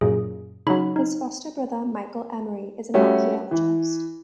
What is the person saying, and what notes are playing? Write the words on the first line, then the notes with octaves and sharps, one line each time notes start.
His foster brother, Michael Emery, is an archaeologist.
F#2 A#2 G#4
C#3 F#3 D#4 B5
D#4
G3 A3 C#4 F#4
E3